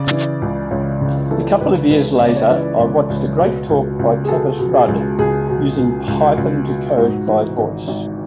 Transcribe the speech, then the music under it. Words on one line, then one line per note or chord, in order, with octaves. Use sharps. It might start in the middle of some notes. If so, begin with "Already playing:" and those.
A couple years later I watched a great talk by Tavis Rudd, Using Python to Code by Voice.
Already playing: C#3 D5
E3
C#2
C#2 C#5
C#3
E3 A4
C#2 B4
C#2 B4
C#3 C#5
D5
C#5
E3 B4
C#2
C#2
B2
C#2
C#2
G#4
B2 A4
B2
G#4
C#2
C#2 G#4
B2
B2
C#2
C#2
B2
G#2 F#4
E3
G#1
G#1